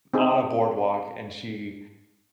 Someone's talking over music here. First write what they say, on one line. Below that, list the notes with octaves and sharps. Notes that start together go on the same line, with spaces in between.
on a boardwalk, and she
C4 D#4 G#4